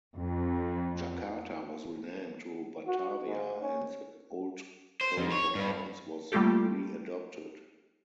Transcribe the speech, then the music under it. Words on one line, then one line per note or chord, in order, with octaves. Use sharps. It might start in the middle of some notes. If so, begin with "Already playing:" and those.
Jakarta was renamed to Batavia and the old coat of arms was readopted.
F2
F#4
G#2
C#4
C5
F2
C#5
G2
G3 A3 A#3 F4 G4 A4